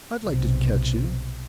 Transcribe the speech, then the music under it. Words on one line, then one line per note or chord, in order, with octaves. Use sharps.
I'd like to catch you!
B1 C3